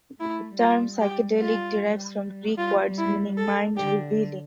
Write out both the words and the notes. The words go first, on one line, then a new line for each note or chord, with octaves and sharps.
The term "psychedelic" derives from Greek words meaning "mind revealing".
A3 E4
G3 F4
G4
F4
G3 F4
E4
A4
D3 G4